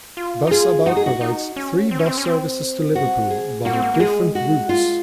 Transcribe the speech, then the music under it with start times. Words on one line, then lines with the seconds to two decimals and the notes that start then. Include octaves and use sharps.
Busabout provides three bus services to Liverpool via different routes.
0.17 F4
0.47 D#4
0.51 F4 G#4
0.86 D#4 F#4
0.97 G#4
1.06 F#4
1.21 D#4
1.56 C#4
1.91 C4
1.99 C#4
2.06 C4
2.18 C#4
2.25 C4
2.95 F#4
3.30 G#4
3.65 A#3 F#4
3.73 C4
3.82 A#3
3.94 A#3
4.00 G#3 G#4
4.35 F#4
4.69 F4